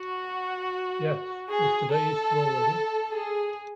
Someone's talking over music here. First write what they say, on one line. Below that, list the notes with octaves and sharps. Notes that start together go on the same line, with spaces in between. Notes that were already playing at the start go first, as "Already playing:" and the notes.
Yes, is today Easter already?
Already playing: F#4
G#4
A4
G#4